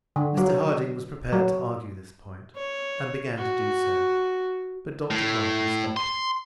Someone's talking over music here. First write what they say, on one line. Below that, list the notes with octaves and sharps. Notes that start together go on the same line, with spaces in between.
Mr Harding was prepared to argue this point, and began to do so, but Dr Grantly stopped him.
D3
F#3
F#3
C#5
F#4
A2
C6